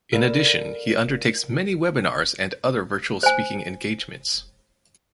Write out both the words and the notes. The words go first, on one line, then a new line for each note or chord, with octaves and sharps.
In addition he undertakes many webinars and other virtual speaking engagements.
A4 A#4 D5 F5 B5 F6
C5 G#5